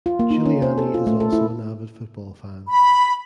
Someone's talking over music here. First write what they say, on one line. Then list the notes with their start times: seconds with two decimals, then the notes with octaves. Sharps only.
Giuliani is also an avid football fan.
0.06 F4
0.19 A#3
0.31 D#4
0.46 C#4
0.62 C5
0.78 A4
0.94 F4
1.07 A3
1.20 A4
1.33 E4
2.69 B5